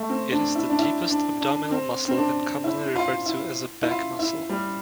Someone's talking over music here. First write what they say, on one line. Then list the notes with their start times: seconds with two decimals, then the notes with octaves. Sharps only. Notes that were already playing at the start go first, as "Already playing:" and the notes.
It is the deepest abdominal muscle and commonly referred to as a back muscle.
Already playing: A3
0.09 C4
0.32 D4
0.55 E4
0.70 D4
0.79 E4
1.10 D4
1.41 D4
1.71 C4
2.08 C4
2.17 D4
2.64 E4
2.96 F4
3.26 E4
3.82 E4
3.88 F4
4.19 E4
4.49 G3